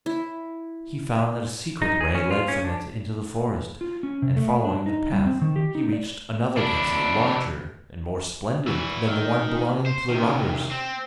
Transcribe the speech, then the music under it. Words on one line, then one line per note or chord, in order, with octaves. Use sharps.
He found that a secret way led from it into the forest; and following the path, he reached another castle larger and more splendid than the one belonging to the robbers.
E4
D#4
G#4
C#4
F4
C#4
D4
F4
C#4
C3
A3
D4
D#4
G3
C4
D#3
G4
D#4
D5
D4 E4
E3 F#4
D#3
C5
C3 D#3
C4